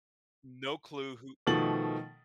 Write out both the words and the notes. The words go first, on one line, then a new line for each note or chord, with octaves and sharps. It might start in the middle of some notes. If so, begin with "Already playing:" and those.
No clue who
B2 D#3 F3 A3 A6 F#7